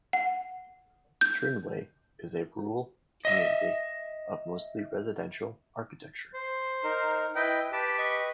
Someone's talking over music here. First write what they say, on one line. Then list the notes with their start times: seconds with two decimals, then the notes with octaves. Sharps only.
Trinway is a rural community of mostly residential architecture.
0.13 F#5
1.21 G6
3.25 D#5 E5
6.34 C5
6.84 D#4 A#4
7.36 E4 B4 D#5 G5
7.72 G4 B4 A5
7.98 B4 D#5 C#6